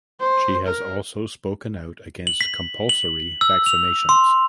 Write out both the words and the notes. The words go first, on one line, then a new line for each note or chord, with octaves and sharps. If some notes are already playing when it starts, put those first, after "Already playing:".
She has also spoken out against compulsory vaccinations.
C5
A#4
F#7
B6
F#7
E6
F7
C6